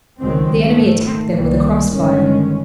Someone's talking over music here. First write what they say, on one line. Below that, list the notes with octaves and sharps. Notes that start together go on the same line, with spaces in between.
The enemy attacked them with a cross-fire.
C#2 D#3 F#3 G#3 C4
G#2 D#3 A3
C2 D#3 E3 G3 A#3
G1 D#3 G#3 C#4